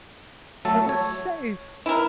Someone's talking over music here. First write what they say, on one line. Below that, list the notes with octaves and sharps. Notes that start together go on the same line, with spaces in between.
I was safe.
F#3 A3 A4
C#5
E4 A#4